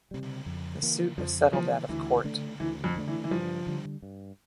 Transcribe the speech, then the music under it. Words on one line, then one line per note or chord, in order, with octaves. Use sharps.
The suit was settled out-of-court.
C3 G3
F2
E3 A#3
F2 F3
E3 F3 A#3
D2 E3
D3 A3 D4
D2 E3
F2
D3 A3 D4
E3
E3
G2 F3
D3 G3
G2